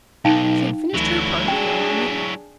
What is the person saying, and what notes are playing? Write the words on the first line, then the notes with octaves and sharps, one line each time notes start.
She had finished her part of the argument.
B1 D#4 F5 G5
D2 E3 F#3 E4
D4 G#4 G5